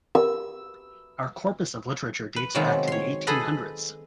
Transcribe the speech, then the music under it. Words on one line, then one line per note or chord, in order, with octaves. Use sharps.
Our corpus of literature dates back to the eighteen hundreds.
G4 A#4 E6
B4
C3 D#3 F#3 G#3 B3 F4
C#5 C6
G#4 A4 B4 C5 D#5 F#5